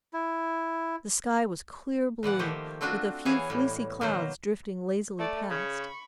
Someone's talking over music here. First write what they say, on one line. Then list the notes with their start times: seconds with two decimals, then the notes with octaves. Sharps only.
The sky was clear blue, with a few fleecy clouds drifting lazily past.
0.13 E4
2.23 A#2 E3 D5 F#5
2.39 D#3 F3 A3 A#3 G4 C5
2.81 A3 C4 D4 F4 F#4
3.25 E3 B3 E4 G#4 C#5 F5
3.50 A2 G3
4.01 B2 D#3 F#3 A#3 A#4 C5
5.19 A3 D5
5.50 C#3 B5 C#6